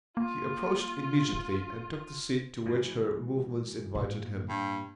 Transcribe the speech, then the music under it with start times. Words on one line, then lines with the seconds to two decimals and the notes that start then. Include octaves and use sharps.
He approached immediately, and took the seat to which her movements invited him.
0.17 A#3 F4
1.32 D1
2.66 G#2 B2 E3
3.95 A2 A#3
4.49 G2